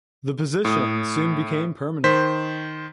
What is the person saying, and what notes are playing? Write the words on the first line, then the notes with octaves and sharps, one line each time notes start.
The position soon became permanent.
A2 D#6
D#3 C5 B6